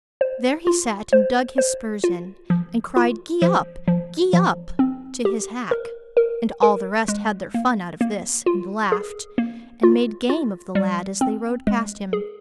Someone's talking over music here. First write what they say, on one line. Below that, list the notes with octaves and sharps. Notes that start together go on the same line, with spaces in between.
There he sat and dug his spurs in, and cried, "Gee up! gee up!" to his hack. And all the rest had their fun out of this, and laughed, and made game of the lad as they rode past him.
C5
F4
C5
C5
F4
F3
F4
F3
F3
F3
C4
G4
A#4
A#4
A#4
G#3
A#3
A#3
F4
G#4
A#3
F4
F4
G3
C4
G#3
G#4